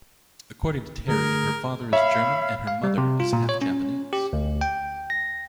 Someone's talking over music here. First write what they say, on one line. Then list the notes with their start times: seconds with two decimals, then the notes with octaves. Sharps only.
According to Teri, her father is German and her mother is half-Japanese.
1.08 D3 A3 G#4 A#4
1.93 C#5 E5 F5 B5
2.67 F5
2.84 G3
2.98 C3
3.20 F4
3.33 A#2
3.49 C#5
3.62 C#4
4.13 G4
4.33 D2
4.61 G5
5.10 A#6